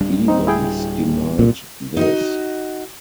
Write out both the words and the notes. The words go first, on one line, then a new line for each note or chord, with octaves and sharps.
Evans denied this.
D1 G3 D4
C4 D#4
E4 G#4 G5
C2 A#2
D#4 F#4 D#5